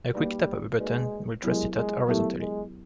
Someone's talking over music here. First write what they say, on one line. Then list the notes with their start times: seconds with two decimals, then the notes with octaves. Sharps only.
A quick tap of a button will thrust it out horizontally.
0.14 G3 A#3 D#4 F#4 B4 D5
0.78 G#3 A#3 D#4 F#4 B4 D5
1.43 F#3 G#3 B3 E4 G4 A#4
1.75 G#3
2.07 F#3 A3 B3 E4 G4 A#4
2.39 G#3